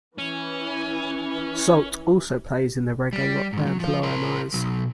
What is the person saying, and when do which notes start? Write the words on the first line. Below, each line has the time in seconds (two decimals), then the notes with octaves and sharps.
Sult also plays in the reggae rock band Lionize.
0.18 E3 C#4
3.13 G3
3.53 G#2 D#3
3.66 F#3
3.80 F3 F4
4.03 A#4 C5
4.54 B2 F#3